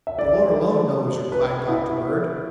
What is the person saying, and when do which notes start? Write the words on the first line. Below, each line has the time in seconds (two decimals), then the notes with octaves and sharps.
"The Lord alone knows," replied Dr. Bird.
0.07 E5
0.19 D5
1.32 B4
1.69 E4